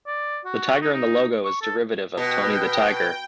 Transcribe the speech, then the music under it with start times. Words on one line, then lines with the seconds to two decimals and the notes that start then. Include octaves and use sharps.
The tiger in the logo is derivative of Tony the Tiger.
0.07 D5
0.45 F#4
0.81 D#4
0.93 D#4
1.44 C#6
1.62 A4
2.17 B2 B4 G5